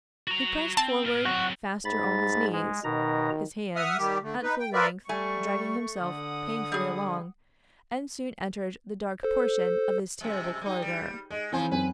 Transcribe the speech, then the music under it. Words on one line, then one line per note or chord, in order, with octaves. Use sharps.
He pressed forward faster on his knees, his hands, at full length, dragging himself painfully along, and soon entered the dark portion of this terrible corridor.
F#4 A#5
C4 A5
A#4 D5
F#3 C4 F#4
G#2 B5 A6
G#3
B2 D#3 A#5
E5 F#5 D#6 F6
D#3 G3 G4
D3 A3
D#4 B4
G5
F4 A#4 B4 D5 E5
G3 A3 G#5 C#6
D3 F#5 D#6
G3 G#4
A4 C5
F#2 C3 G#3
G3 D#4
G3
G#3 D#5
C#3 E3 F3 C4 C5 G#5
F#2 C4 B4 G#5